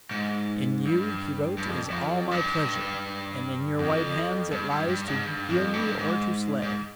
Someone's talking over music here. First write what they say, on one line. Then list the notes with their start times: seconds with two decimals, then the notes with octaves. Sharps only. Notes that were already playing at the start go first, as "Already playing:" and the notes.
In you--he wrote--is all my pleasure, and in your white hands it lies to heal me or to slay.
0.11 G#2
0.85 G2
1.58 G2
1.69 F2
1.90 F2
2.31 G2
3.79 F2
4.52 G2
4.71 G2
4.88 G2
5.07 G#2
5.25 G2
5.49 F2
5.73 G2
5.99 G#2
6.63 G#2